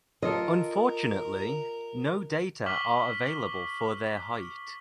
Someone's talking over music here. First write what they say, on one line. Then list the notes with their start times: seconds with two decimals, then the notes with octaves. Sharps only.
Unfortunately, no data are available for their height.
0.22 F4 A4 A#4 D#5
2.66 C#6 D6 F6 B6 F#7 G7